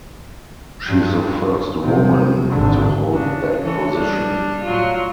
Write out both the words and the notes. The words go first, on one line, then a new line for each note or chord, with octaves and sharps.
She is the first woman to hold that position.
G2
C3 F3
G#1 D3
C#3 D4
E3 A4 C#5
G3 D4
A2 F#3 F4